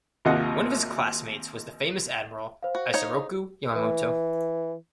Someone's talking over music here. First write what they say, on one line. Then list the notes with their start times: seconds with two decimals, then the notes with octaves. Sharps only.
One of his classmates was the famous admiral Isoroku Yamamoto.
0.25 G#1 D#2 C3 F4 D#5 F#5
2.63 C5 F5
2.75 F#4
2.94 D#4 C#5
3.76 E3